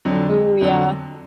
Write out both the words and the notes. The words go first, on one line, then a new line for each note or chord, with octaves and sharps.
Ooh, yeah.
F2 D3 F#3
F2 D3 F#3